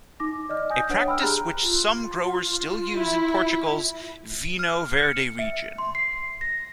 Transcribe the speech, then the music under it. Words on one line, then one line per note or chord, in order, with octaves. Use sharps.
A practice which some growers still use in Portugal's Vinho Verde region.
D#4 D6 A#6
D5 D#5 F6
G#5 D#6 G6 A#6
D4 B4 C#5 F#5 D7
G5 B5 E6 F6
G4 G#4 A#5 F6 F#6
F4
E4
F6
C#7
E5
C6
C7
A#6